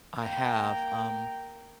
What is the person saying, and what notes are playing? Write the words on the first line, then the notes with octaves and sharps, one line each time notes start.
I have, um
A#3 G5